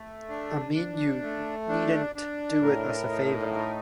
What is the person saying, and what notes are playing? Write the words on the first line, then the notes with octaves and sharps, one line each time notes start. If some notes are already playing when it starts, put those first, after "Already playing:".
I mean you needn't do it as a favor.
Already playing: A3
D4
D4
A3
D4
D4
A2 A#4
D#4
A3